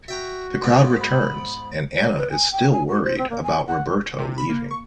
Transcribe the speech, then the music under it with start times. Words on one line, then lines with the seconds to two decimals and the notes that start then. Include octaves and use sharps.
The crowd returns and Anna is still worried about Roberto leaving.
0.08 F#4 E5 G5 A#5
0.64 G#2 B3 C4
1.00 B5
1.97 C#5
2.18 B4
2.32 G#5
2.52 G5
2.72 G#5
2.89 F#4
3.04 C5
3.18 C4
3.30 A#3
3.43 G#5
3.68 F#5
4.19 C3
4.38 B5
4.49 A#3
4.71 C#6